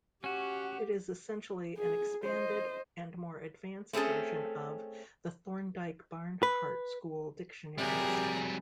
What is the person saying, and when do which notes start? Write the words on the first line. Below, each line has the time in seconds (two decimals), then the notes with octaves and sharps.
It is essentially an expanded and more advanced version of the Thorndike-Barnhart school dictionaries.
0.24 C#4 F#4 G4 F#5
1.78 G#4
2.24 C5 D#5
3.93 A3 C4 C#4 G#4 A4
6.43 B4
7.78 C3 F#3 G3 G4 G#4 A#4